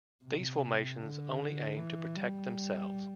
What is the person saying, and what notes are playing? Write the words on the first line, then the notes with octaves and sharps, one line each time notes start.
These formations only aim to protect themselves.
C3
D3
E3
G3